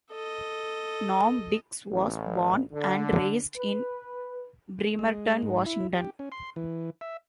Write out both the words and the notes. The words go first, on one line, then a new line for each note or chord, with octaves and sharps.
Norm Dicks was born and raised in Bremerton, Washington.
A4 D#5
A1
D3
B4
G#3
G#2
E4
G4
C#4
C6
E3
E5